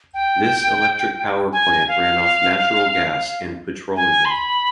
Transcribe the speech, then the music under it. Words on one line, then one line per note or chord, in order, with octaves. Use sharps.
This electric power plant ran off natural gas and petroleum.
G5
G#5
F5
G#5
C6
B5